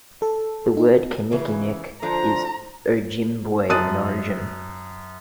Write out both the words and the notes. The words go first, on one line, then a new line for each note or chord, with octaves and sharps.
The word kinnickinnic is Ojibwe in origin.
A4
D#4
C#3 E3
D3 F3 D4 A#5
F#2 A5 D#6 F#6 A6 D#7